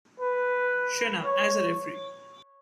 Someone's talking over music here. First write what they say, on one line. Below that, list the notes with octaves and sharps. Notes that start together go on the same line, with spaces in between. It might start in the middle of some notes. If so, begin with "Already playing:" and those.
Shena as a referee.
B4
C#5